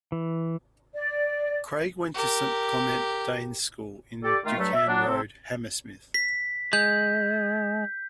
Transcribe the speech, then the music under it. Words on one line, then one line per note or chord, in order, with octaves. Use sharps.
Craig went to Saint Clement Danes School in DuCane Road, Hammersmith.
E3
D5
G4 A#4
G4 A4 D5
D#3 A3 F4
G2 F#3 A3
E5
F#3 D4
C3 C4 A4
B6
G#3 G6